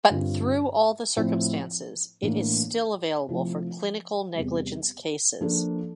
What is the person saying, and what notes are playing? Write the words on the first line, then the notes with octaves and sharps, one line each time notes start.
But through all the circumstances it is still available for Clinical Negligence cases.
G2 D3 G3 C4 F4
A2 F3 C4 E4
A2 E3 A#3 D4
C3 F3 A3 E4
E2 C3 G3
F3 A#3 D4 F4 A4